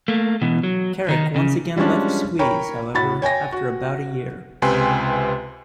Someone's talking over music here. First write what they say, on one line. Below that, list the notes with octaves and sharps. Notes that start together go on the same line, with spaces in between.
Carrack once again left Squeeze, however, after about a year.
A3 A#3
B2 E3
F#3
D#3 D#4
C#3
F3 G3 G#3 C#4 D4
A#4 C#5 G5 B5 C#6
A2 F#4 B5 A6
C#5 G5 G#5 A#6
F#4
C#2 C3 B4 G5 G#5 C6